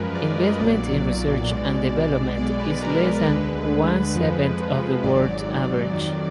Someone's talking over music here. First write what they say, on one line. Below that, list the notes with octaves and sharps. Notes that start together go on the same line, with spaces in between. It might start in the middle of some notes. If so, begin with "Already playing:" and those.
Investment in research and development is less than one-seventh of the world average.
Already playing: F#2 F3 G#3 A#4 B4
D5
D#5
B1 A#2 F#3 D5
B1 B2 G#3
B1 B2 G#3 D5
B4
A#4
B4
A#4
D2 D3 G#3 B4
F2 F3 G#3
G#1 G#2 F#3 D5
F2 D#3 F#3